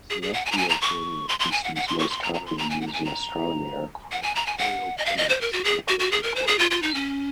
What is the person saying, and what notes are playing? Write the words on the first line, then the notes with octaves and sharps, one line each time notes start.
Celestial coordinate systems most commonly used in astronomy are equatorial coordinates and ecliptic coordinates.
G#4
G#4
F#5
G#5
A#5
G#5
A#5
C#6
C6
C6
G#5
F#5
F#5
C6
C#6
C6
A#5
A#5
C6
A#5
G#5
F#5
A#5
G#5
A#5
F#5
G#5
A#5
G#5
F#5
D#5
F5
D#5
C5
A#4
F#4
G#4
F#4
F#4
G#4
A#4
C5
G#4
F4
F4
D#4
C#4